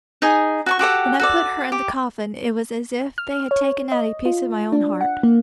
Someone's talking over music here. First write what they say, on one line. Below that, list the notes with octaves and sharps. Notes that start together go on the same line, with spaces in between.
When I put her in the coffin it was as if they had taken out a piece of my own heart.
D#4 G#4 G#5
F#4 A5 C#6
F#4 G4 A4 F#5
F#4 A4 D5
G4
F6
C#5
D#5
F4
D4
F#5
A#3